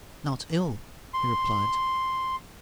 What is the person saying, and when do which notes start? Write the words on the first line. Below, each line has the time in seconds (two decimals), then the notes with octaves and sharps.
"Not ill," he replied.
1.14 C6